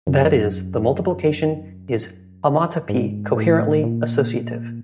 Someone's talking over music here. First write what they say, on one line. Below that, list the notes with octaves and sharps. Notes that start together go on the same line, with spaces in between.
That is, the multiplication is homotopy coherently associative.
F#2
G#2
A2
A#2